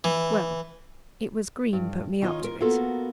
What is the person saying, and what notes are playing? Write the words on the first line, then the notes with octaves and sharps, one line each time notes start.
Well;--it was Green put me up to it.
E3
G2
D#3 D#4 F4 C#5 D#5
F4 A#4
A#3 B3 F4 F#4 A4 A#4